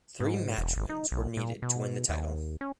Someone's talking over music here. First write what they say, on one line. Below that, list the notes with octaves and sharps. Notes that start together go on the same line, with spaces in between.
Three match wins were needed to win the title.
G#2
E1
G#1
D#4
B1
A#2
B2
D#2
C#4